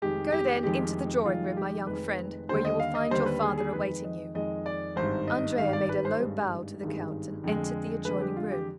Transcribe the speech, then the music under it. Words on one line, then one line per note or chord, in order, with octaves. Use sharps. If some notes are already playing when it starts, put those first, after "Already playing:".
"Go, then, into the drawing-room, my young friend, where you will find your father awaiting you." Andrea made a low bow to the count, and entered the adjoining room.
F1 F2 D#3 G#3 G4
G4
F1 F2 D#3 G#3 G4
F1 F2 D#3 G#3 F4
G4
F1 F2 D#3 G#3 B4
D#2 D3 G3 C5
D#5
F5
D#5
D#2 D3 G3 C5
B4
G#4
G#4
F2 D#3 G#3 B4
D#5
F2 D#3 G#3 D#5
D5
G#1 G2 D#3 C5
D#5
G#1 G2 D#3 F5
D5
B4
C5
G#1 G2 D#3 G#3
G#1 G2 D#3 G#3
F2 D3 G#3
F2 D3 G#3 B4
G4
F4
G4